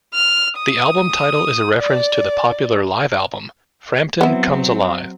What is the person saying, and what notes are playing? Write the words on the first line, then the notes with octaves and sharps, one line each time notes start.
The album title is a reference to the popular live album "Frampton Comes Alive".
F6
D#6
D5
F#3 B3 C4 E4